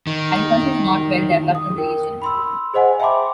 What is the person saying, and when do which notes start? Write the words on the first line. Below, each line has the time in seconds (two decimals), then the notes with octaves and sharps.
Agriculture is not well developed in the region.
0.07 D#3
1.55 D#6
1.78 A#4 G5
2.22 B5 C6 E6
2.74 G#4 C5 D#5 F#5 G#5
3.00 E5 G5 A5 B5 C6 D6